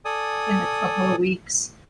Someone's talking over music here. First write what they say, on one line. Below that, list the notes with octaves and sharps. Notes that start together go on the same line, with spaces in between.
in a couple of weeks.
A4 D5 G#5 D#6